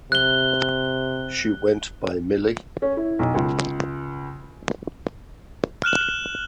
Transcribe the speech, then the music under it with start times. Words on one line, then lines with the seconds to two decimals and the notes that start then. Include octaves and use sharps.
She went by Millie.
0.12 C3 F#6 G7
2.82 C#4
2.97 E4
3.19 B1
3.34 C#2
5.84 F6 F#6 E7 F#7